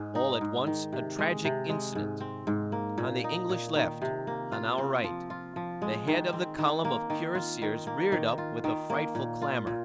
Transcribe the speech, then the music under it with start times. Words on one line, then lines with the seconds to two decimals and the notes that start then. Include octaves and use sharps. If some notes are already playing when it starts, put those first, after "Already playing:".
All at once, a tragic incident; on the English left, on our right, the head of the column of cuirassiers reared up with a frightful clamor.
Already playing: G#2 G#3
0.15 D#4
0.41 G#2
0.67 D#3
0.93 C3
1.18 G#3
1.45 C3
1.69 G#3
1.95 G#2
2.20 C4
2.47 G#2
2.72 A#3
2.98 A#2
3.24 D#4
3.49 A#2
3.76 D#3
4.02 C3
4.27 A#3
4.52 F4
4.78 C4
5.04 F3
5.30 F4
5.56 F3
5.82 G#3
6.07 D#3
6.33 C4
6.58 D#3
6.85 A#3
7.10 D#3
7.35 F4
7.62 D#3
7.87 A#3
8.12 D#3
8.38 F4
8.64 D#3
8.90 A#3
9.15 A#2
9.42 F4
9.67 A#2